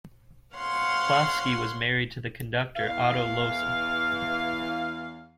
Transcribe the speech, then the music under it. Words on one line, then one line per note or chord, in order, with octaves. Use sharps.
Klafsky was married to the conductor Otto Lohse.
C#5 F5 F#5 C6
E2 E3 F5